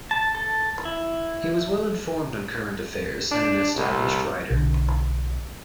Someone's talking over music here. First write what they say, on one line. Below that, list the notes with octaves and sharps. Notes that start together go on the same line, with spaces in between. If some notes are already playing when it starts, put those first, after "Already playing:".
He was well informed on current affairs and an established writer.
A5
A4
E4
D4
C2
B1 D3